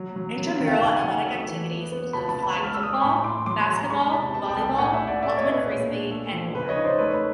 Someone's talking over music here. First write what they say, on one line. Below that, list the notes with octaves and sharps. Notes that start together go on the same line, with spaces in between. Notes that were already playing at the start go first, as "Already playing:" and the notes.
Intramural athletic activities include flag football, basketball, volleyball, ultimate frisbee, and more.
Already playing: F#3
F#3
F#3
D#3
F5 G5
C#3 F5 G5
F#5 G#5
F#3
A3
E3
B3
B3
C#2 A5 B5
A5 B5
C#2
A5 B5
G#3
F6
E6
G#3 D#6
D6
A2 B5 C#6
A2 C6 D6
F#3 C6 D6
B5 C#6
F#3
A#5 C6
G#3 B5 C#6
C3 A5 B5
B2 A5 B5
G5 A5
C2
A2 F#5 G#5
E5 F#5
A2
D5 E5
C#4 D5 E5
C#5 D#5
B2
B4 C#5
A#2
D4
A3
F3
C#3 B4
C#5 D#5
D#4
C5 D5
A3 B4 C#5
B4